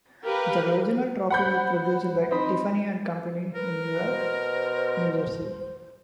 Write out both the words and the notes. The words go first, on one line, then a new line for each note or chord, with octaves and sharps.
The original trophy was produced by Tiffany and Company in Newark, New Jersey.
G4 A#4 B4 F5
C5 F#5 B5 G6
C4 D#4 D#5 B5
A#4 B4
B2 C5